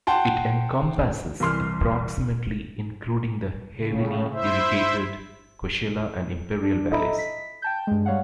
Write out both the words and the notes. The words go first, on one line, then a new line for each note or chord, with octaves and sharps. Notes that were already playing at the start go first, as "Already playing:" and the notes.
It encompasses approximately including the heavily irrigated Coachella and Imperial Valleys.
F#5 G5 A5 C6
C2 E3 C6 F6
A2 C#3
E4 C5 E5
D4
E4 A4 D#5 E5 A#5 B5
B6
G5 A5 G6
G2 G#3
G3 C#5 F5 F#5